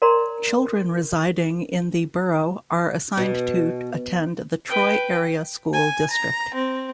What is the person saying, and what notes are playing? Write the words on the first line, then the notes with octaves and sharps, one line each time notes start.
Children residing in the borough are assigned to attend the Troy Area School District.
A#4 D5 A#5 C6
B2
B4 G5
G#5
A#5
C4